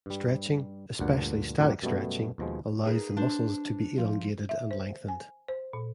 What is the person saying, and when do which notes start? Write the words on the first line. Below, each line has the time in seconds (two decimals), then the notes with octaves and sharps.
Stretching, especially static stretching allows the muscles to be elongated and lengthened.
0.06 G2 G3
1.00 D2 G2 A#2 F#5
1.59 F2 A2 G4 A#4 F#5
1.82 F#2 B2 G3 A3 B3
2.38 D#2 B2 F3 G#3
2.85 D#4 G#4 A#4 B4
3.17 D4 C5
3.98 F3
4.49 E5
4.71 C5
5.08 G#5
5.48 C5
5.73 A#2